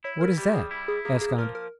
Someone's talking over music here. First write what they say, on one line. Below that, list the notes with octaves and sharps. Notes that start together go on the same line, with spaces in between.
"What is that?" asked Andrea.
E4 C#5
A#4
G3 G4
G#4
E4
G#4
A#3 G#4
G#4
F3 A#4
A#4